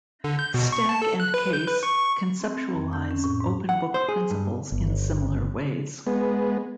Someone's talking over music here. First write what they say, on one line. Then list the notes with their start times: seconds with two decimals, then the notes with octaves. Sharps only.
Stack and Case conceptualize open-book principles in similar ways.
0.24 D3
0.39 G6
0.54 B2
0.72 C#6
0.89 A5
1.02 A4
1.20 F#6
1.34 B4
1.53 G6
1.67 B4
1.83 C#6
2.04 C#6
2.40 C4
2.55 C4
2.75 F2
2.93 G6
3.11 C#4
3.24 A2
3.40 G#2
3.69 F#5
3.94 C5
4.09 G#4
4.30 G2
4.72 G1
6.07 G#3 B3